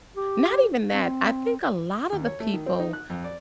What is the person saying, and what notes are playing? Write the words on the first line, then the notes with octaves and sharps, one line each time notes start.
not even that I think a lot of the people,
G4
C4
D#2
C#5
A3
D#3
C4
D#4
F#6
F2
D5